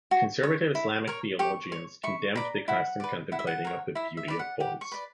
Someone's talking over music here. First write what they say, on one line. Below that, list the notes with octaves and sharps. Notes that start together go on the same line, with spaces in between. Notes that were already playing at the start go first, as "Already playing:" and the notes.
Conservative Islamic theologians condemned the custom of contemplating the beauty of boys.
F#4
C#5
E4
A#4 C#5
G4 C#6
C#5
E4 C#6
B4 D5 A#5
E4 F#5
B4 D5
E4 F#5
E5
F#5
A#4 C#5
E4 E5
E5
B4 D5
F#5
G4 F#5
C#6
B4 D5